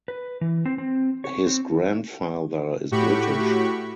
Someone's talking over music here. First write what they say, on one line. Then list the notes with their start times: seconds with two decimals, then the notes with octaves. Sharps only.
His grandfather is British.
0.08 B4
0.41 E3
0.65 C4
0.78 C4
1.24 C#5
1.47 C4
2.91 A2 F#4 G4 B5 C#6